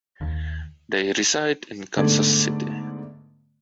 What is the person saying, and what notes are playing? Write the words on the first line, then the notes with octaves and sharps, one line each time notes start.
They reside in Kansas City.
D#2
G#2 D3 A3 B3 D5 G#6